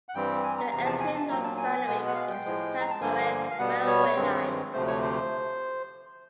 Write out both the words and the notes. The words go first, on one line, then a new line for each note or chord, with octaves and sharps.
The extreme north boundary is the South Morang railway line.
F#5
G2 E3 G3 C4 G5
G#5
A#5
E2 C3 F3 A#5
A5
G#5
A5
A#2 F#3 A#3 A#5
A5
G#5
B2 G#3 B3
F#5
F5
G5
A2 F3 G#3
A#5
A5
G2 D3 F3 A#3 G#5
F5
B2 G3 B3 F#5
C#5
G2 D#3 G#3 C4
D2 C3 F3 A3 C5
C#5
C5